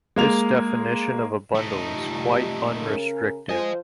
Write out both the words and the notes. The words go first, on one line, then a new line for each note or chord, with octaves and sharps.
This definition of a bundle is quite unrestrictive.
G#3 A#3 F7
A3 D#4
G3 F4 G4
C#3 A#4
F3 F4 C5 D#5 G#5